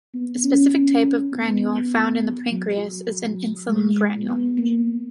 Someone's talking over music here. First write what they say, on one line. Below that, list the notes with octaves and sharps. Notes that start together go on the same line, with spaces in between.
A specific type of granule found in the pancreas is an insulin granule.
B3
C#4
C#4
B3
F#3
G#3
B3
A#3